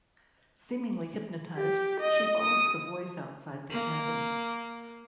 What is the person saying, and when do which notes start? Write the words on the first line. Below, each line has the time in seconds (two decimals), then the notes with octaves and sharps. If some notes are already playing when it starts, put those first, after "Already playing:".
Seemingly hypnotized, she follows the voice outside the cabin.
1.57 G4
2.01 D#5
2.41 D#6
3.71 A#3